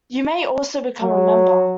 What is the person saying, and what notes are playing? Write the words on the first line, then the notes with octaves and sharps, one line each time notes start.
You may also become a member.
F#3